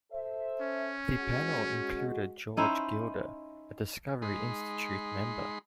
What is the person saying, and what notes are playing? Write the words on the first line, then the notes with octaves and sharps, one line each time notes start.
The panel included George Gilder, a Discovery Institute member.
A4 C5 E5
C#4
G#3 F#4
C#4 D#4 E4 C5
G#3 D#4 B5 C6